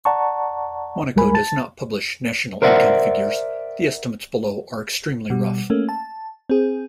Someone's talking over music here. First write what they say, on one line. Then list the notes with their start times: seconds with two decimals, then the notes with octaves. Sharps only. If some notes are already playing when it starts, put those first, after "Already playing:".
Monaco does not publish national income figures; the estimates below are extremely rough.
0.05 D5 F#5 A5 A#5 C#6
1.16 D2 G3 G#3 A#4 G#5 B5
1.35 A5 A6
2.62 A#4 C5 D5 E5 F#5
5.30 B2 G3
5.70 A3 A#3 C#4
5.89 A5
6.50 C4 G#4